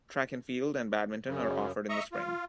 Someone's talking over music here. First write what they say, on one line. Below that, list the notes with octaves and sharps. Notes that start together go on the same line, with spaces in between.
Track and Field and Badminton are offered in the spring.
F#2 C#3
D#5 E5 A#5 C#6
F4